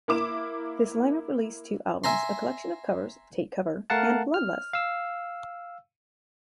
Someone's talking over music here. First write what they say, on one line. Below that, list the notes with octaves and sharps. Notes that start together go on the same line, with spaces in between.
This line-up released two albums, a collection of covers "Take Cover" and "Blood Lust".
A#3 E4 D6 E7
E5 G#5 A#5 C6
A3 A#4 F5 F#5 A5
F6
F5 E6